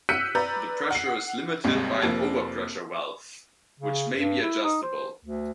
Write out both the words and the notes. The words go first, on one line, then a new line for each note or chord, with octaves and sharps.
The pressure is limited by an overpressure valve which may be adjustable.
E6 F#6 G6 B6 C#7 D#7
B4 D5 A#5 G6
F#5 C7
G#1 D#2 C3 G3 G#3
F1 F3 A#3
C#3
G2
E4
D#4
C5
D2